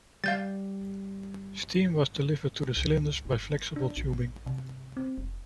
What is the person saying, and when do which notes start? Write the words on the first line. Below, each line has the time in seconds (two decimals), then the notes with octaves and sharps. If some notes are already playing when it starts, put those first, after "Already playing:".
Steam was delivered to the cylinders via flexible tubing.
0.24 G3 F5 G6 A6
2.77 C#2
3.25 G1
3.76 D4
3.97 A1
4.46 C3
4.97 C4
5.18 F1